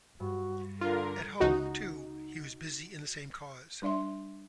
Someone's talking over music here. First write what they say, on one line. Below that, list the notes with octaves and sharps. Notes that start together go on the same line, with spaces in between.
At home, too, he was busy in the same cause.
G2 F#4
D3 D4 F4 A#4
C#2 D#4 F#4
G3 D4 D5 E5 C6